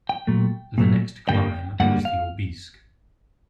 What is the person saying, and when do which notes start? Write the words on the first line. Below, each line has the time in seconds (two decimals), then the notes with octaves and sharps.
The next climb was the Aubisque.
0.09 G5
0.27 A#2 F#3 A3
0.78 A#2 F#3 A3
1.29 G2 D3 G3 A#3 G5
1.80 G2 D3 G3 A#3 F#5
2.05 F5